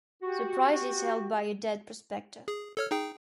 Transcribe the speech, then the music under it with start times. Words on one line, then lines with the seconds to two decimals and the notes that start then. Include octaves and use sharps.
The prize is held by a dead prospector.
0.23 F#4 G4
2.48 G#4
2.77 A4 C#5 F6
2.91 D#4 G#4 G5